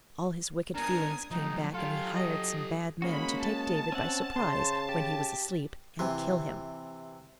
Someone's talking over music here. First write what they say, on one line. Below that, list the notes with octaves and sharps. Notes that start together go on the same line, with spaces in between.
All his wicked feelings came back, and he hired some bad men to take David by surprise when he was asleep, and kill him.
B3 D4 A#4 G#5 D#6
F3 F#3 A3 D#4
F4 G4 A4
D#5
G#3 A#3 C#4 F#4 B5
A5
C4 C#4 E5 F#5
C#3 C5
G4
C3 E3